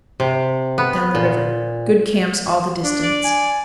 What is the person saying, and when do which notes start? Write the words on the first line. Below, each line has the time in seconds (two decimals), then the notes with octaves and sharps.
Down the River.--Good camps all the distance.
0.20 C3
0.78 B3
1.15 A#2
2.84 D4
3.03 D5
3.24 G#5